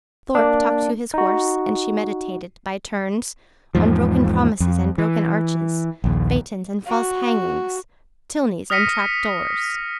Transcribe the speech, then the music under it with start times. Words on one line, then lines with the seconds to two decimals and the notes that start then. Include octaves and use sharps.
Thorpe talked to his horse, and she meditated, by turns, on broken promises and broken arches, phaetons and false hangings, Tilneys and trap-doors.
0.35 A#3 D4
1.14 D#4 F#4
3.75 E2 G#2 F3
4.60 F2
4.98 E3
6.04 A#1 D#2
6.87 F#4
8.70 D#6 F6 A#6 B6 C#7 D#7